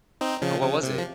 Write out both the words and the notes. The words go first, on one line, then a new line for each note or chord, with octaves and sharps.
Oh, what was it?
C4 D#4
C#3 F3
C#3
C3
F3